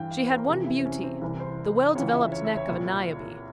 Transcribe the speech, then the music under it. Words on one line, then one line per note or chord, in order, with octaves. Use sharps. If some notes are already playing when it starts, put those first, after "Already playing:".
She had one beauty--the well-developed neck of a Niobe.
Already playing: G2 E3 G5
F5
C5
A#4
F2 C3 E3 G4
E4
C4
C#4
C4
C2 C3 E3
C5
C#2 C#3 E3 C#5
E5
C#5
E5
C#5
C2 A#2